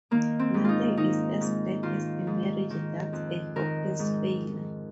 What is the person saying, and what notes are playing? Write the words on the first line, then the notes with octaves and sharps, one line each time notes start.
Nothing is as bad as a marriage that’s a hopeless failure.
D#3 A#3
C4
G#2
D#4 F4
D#3 D#4
G#2
D#3 F4
G#2
D#3
F2
D#3 A#4
G#2